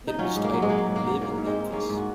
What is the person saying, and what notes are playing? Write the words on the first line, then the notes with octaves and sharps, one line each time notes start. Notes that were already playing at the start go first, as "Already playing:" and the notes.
It was titled "Live in Memphis".
D#4
F#3 C#4 F4
G#2
A#3
F#3
G#3
F#3 A#3
G#2
A#3
F#3
G#2 A#3
G#2
G#3 C4
G#2
G#2 A#3 C#4
G#2
F#4